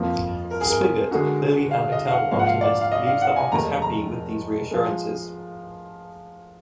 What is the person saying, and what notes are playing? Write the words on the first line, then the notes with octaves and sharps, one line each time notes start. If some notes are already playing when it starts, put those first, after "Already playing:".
Spiggott, clearly an eternal optimist, leaves the office happy with these reassurances.
Already playing: F2 F3 A#3
A#4
G#4
A#4
D3 G#3 D#4 F#4
F5
D#5
F5
F#5
G#2 F3 A#3 F5
F#5
F5
D5
F5
D#5
F5
F#5
G#5
F1 D#2 D#3 G#3 A#5
A#5
F3 G#3